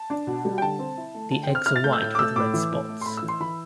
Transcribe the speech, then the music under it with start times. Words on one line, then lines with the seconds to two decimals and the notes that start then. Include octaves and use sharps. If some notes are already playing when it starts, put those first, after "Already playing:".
The eggs are white with red spots.
Already playing: A5
0.10 D4
0.27 B2
0.45 G3
0.58 G5
0.62 D3 A5
0.79 C4
0.97 E4
1.15 A3
1.31 D3 A5
1.43 G5
1.50 C4
1.55 F6
1.66 E4 F6
1.76 A6
1.84 A3 G6
1.93 E6
2.01 A2 G6
2.15 D6
2.19 A3 E6
2.36 A2 D6
2.54 E3
2.71 A2
2.89 A3
3.01 C6
3.06 A2 B5
3.17 E6
3.23 E3
3.28 C6
3.40 E3 B5